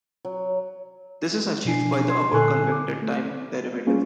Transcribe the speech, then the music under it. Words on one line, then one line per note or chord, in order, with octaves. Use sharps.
This is achieved by the upper convected time derivative.
F#3
B2 F3 D4 G#5 C7
C6 G#6 C7
A#2 D3 A4 G#5 F#6 C7
D6
A3
G3 A#3 C#4 F4 G#4